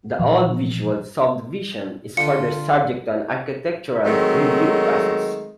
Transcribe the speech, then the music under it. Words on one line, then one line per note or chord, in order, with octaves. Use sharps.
The Old Beechwold subdivision is further subject to an architectural review process.
A#2 E3 F3
D3 F4 G4 B4 C#7
D#3 F#3 G#3 A3 C4